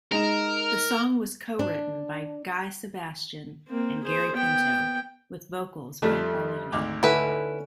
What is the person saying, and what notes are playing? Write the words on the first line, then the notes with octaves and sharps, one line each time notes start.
The song was co-written by Guy Sebastian and Gary Pinto, with vocals by Paulini.
G#3 D#4 A#4 E7
D4
A#3 C4
G#4 C5
B3 G5
F2 F3 G3 A3 D4 E5
G#1 D2 D6
D3 C#4 E4 B4